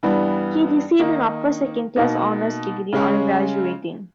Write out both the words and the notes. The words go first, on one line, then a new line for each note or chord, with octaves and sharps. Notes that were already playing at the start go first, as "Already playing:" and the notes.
He received an Upper-Second Class Honours degree on graduating.
G2 E3 G3 B3
D#3 A#3 D#4
B2 A#3 D#4
C#3 G#3 C#4